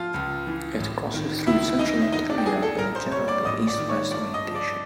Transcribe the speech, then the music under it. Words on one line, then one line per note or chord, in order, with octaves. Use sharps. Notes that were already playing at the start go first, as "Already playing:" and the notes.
It crosses through central Ontario in a generally east-west orientation.
Already playing: F3 F4 F5
C#2
E3
A1
D#3
C#2 E4 E5
E3 D#4 D#5
E5
E2 D#4 D#5
D4 D5
G5
F#3 G#4 G#5
A4 A5
A#1 A#4 A#5
C5 C6
G3 C#5 C#6
D5 D6
A1 D#5 D#6
D5 D6
D#3
C#5 C#6
G2 D5 D6
D#5 D#6
F3
D5 D6